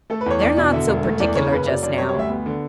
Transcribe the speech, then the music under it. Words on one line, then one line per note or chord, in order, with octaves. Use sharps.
They're not so particular just now.
A3 A4
B4
E2 C#5
E2 D5
B2 D5
D3 E5
E1
A3
E2 D5
C#3 C#5
F#1 B4
F#3 D5
F#2 D5
G3 C#5
C#5
D2 E5
B3
D3